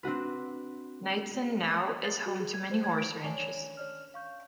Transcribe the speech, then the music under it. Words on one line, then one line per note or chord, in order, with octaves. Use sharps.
Knightsen now is home to many horse ranches.
C4 D4 F#4 B4
A6
F#4
G#4
G#6
C5
G#6
D7
C#4 D4 G#5
C#5 D5 F6
F5 C#6 G6